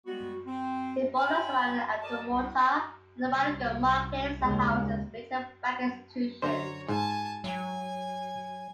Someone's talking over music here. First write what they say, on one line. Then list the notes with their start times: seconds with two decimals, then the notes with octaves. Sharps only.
It borders around the idumota and Balogun markets and houses major Banking institutions.
0.06 G3 G#3 B3 F#4
0.46 C4
1.15 C5 C#5 E5 G5 G#5 B5
2.02 A4 A#4 D5 D#5 A5
2.29 C2
3.24 C2 C3
4.41 D#2 C#3 G#3
6.42 F#2 D3 C5 C#5 A#5
6.88 G#2 G#5 A5
7.44 F#3 G#5